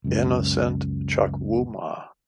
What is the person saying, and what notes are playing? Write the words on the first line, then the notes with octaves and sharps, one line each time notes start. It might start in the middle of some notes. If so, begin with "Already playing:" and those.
Innocent Chukwuma.
C#2 F#2